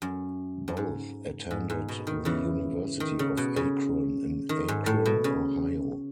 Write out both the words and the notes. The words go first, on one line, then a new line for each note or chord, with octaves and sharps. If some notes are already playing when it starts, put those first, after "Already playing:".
Both attended the University of Akron, in Akron, Ohio.
F#2
F#2
G#2
G#2
G#2
B2
D#3
C#3 E3
D#3
C#3
B2
C#3
D#3
G#2
A2
B2
C#3